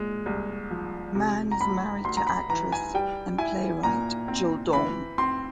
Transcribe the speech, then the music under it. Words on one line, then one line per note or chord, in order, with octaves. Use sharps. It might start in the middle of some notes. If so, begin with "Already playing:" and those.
Mann is married to actress and playwright Jill Daum.
Already playing: A#2 G#3
C2
F3
C3
A#5
D2 B5
D2 C6
A#5
B5
E3 A#5
G#5
G3 G5
E4 G#5
A#2 A#5
C4
E3 B5
C4 C6